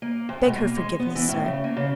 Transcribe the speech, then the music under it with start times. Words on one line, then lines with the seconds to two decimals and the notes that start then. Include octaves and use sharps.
Beg her forgiveness, sir.
0.02 A#3
0.29 F2
0.46 B2
0.58 A#3
0.77 G#3
1.00 B3
1.15 E3
1.29 A2
1.46 C#3
1.64 A#3
1.77 C#3